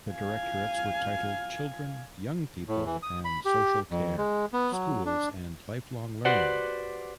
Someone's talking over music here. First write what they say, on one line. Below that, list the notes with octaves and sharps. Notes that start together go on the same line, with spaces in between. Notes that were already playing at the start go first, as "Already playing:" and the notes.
The Directorates were titled Children, Young People and Social Care; Schools; and Lifelong Learning.
F5 G#5
A2
E3
D#6
B5
G4
F2
G#3
B3
F#3
D4
F#4 G4 B4 C5 D5 F#5